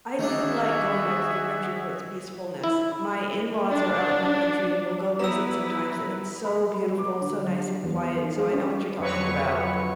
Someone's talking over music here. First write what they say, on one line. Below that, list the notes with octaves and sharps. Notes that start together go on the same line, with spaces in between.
I do like going out to the country for its peacefulness. My in-laws are out in the country, and we'll go visit sometimes, and it's so beautiful, so nice and quiet, so I know what you're talking about.
D#3 D4 F#4 G#4 E5
E4
D4
B3 E4 B4 A#5 E6
B5
F#4
D6
D3
F#3
G4
E2
D#4
G#3
C#4
F2 D3 F#3 B4 C#5 C#6